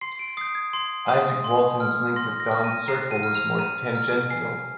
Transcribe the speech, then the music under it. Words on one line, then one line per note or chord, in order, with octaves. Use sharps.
Isaac Walton's link with Donne's circle was more tangential.
C6 C7
D7
D#6 G6 C7
G#6
C6 C7
D#6 G6
C6
F6
C6 A#6
A#6
F6
D#7
A#5 C7
D#7
F6
F7
A#5 D#7
F6
G#5 C7